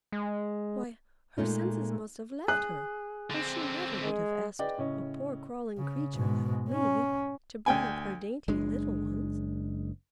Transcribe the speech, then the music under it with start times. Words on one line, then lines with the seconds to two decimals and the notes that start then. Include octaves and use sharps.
Why, her senses must have left her or she never would have asked a poor crawling creature like me to bring up her dainty little ones!
0.12 G#3
1.37 A#2 G#3 A3 D#4 F4
2.48 G#4 F#6
3.31 D3 C4
4.02 G#3
4.59 G#4 B4 D5 D#5 G5
4.78 A2 C#3 C#4 D#5
5.77 C#3
6.14 G#2 B2
6.70 C#4
7.66 D2 G5 G#5
8.48 F#1 G#3 D4